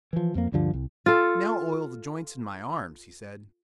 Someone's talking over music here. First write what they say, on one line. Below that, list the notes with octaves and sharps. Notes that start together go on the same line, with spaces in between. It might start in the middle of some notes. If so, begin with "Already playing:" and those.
"Now oil the joints in my arms," he said.
E3 F3
F2 F3 A#3
D2 G2 D3 F3
C2
F4 A4